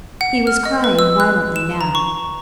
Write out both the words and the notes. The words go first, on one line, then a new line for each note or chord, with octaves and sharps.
He was crying violently now.
F#5
F6
D#5
B4
E6
F#6
E7
A#5
C#6